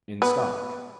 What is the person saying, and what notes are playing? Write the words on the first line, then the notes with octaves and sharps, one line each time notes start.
"In stock?"
B3 B4